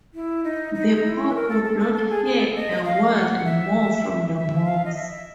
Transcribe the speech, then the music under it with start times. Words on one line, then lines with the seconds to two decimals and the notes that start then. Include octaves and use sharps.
The Pope would not hear a word more from the monks.
0.14 E4
0.44 D#4
0.74 D#4
1.04 E4
1.30 B4
1.35 A#4
1.49 A4
1.64 A4
1.80 A4
1.95 A4
2.10 G#4
2.25 G#4
2.39 A4
2.55 D#5
2.84 F5
3.15 F#5
3.45 E5
4.36 E5
4.65 F5
4.85 D#5
4.95 E5